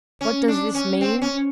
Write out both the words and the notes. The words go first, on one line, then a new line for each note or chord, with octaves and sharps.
What does this mean?
C#4
D4
C#4
C4
C#4